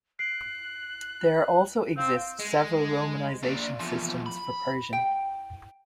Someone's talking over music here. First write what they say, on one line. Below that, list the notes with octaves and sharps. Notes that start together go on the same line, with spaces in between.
There also exist several romanization systems for Persian.
F#6 C7 D7
C4 F5
G#3
A#2 D4
E2 F3
B5
G5